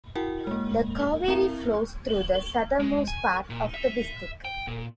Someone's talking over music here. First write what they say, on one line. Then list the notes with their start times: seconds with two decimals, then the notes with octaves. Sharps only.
The Kaveri flows through the southernmost part of the District.
0.15 E4 F#4 A#4 F#5 G5
0.47 G#3 A#3
1.28 C4 E4 A#4 E5 A#5
2.80 G#3
3.08 G#5
3.50 A#2
3.74 E5
4.45 G5
4.67 A#2